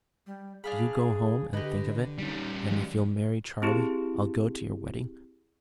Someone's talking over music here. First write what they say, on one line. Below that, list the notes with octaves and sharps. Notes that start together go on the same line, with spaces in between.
Do you go home and think of it; and if you'll marry Charlie, I'll go to your wedding.
G3
D4 G#4 F5 B5
D3 G4 B4 D#5
G3 C#4 D#4
D#3 F3 F#3 G#3
C4 E4 G4 G#4